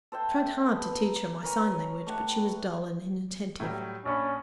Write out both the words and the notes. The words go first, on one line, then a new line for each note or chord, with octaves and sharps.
I tried hard to teach her my sign language, but she was dull and inattentive.
A4 C5 E5 G5
B3
A#5
A#4 B4 C#5 G#5
A3 G4 F#5
A2 F#3 G3
A#1 C#4 D4 B5